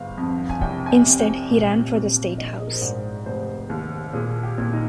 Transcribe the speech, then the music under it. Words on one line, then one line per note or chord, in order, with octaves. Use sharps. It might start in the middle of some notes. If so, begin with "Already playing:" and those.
Instead, he ran for the State House.
Already playing: G1 G#2 F5
F2
G#5
C2 G5
G#5
G5
C3
G5
A#2
A#2
A#1 D#5
G#4
A#4
C5
G#2 D5
F1 C5
D#2
A#2 G#4
G4
A#2
D#4